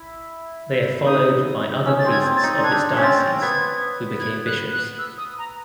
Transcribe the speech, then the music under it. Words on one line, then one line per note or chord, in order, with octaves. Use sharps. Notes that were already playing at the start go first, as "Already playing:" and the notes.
They are followed by other priests of this diocese who became bishops.
Already playing: E4
D#4 D#6
C#4 E6
A6
C4
G#6
C4
A6
D#4
D4 G#6
C#4
C4 A6
B3 G#6
G#6
F#6
F#6
E6
D#6
A#5